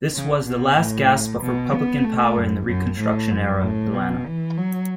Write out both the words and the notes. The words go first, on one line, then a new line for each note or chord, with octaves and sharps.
This was the last-gasp of Republican power in Reconstruction-era Atlanta.
C#3
B2
A2
B2
B3
A3
F#2
F#2
A2
F#2
A2
B2
E3
F#3